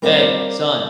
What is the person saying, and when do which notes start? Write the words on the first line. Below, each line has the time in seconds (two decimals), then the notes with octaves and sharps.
"Hey, son,
0.02 G3 C4 A#4 D5 F5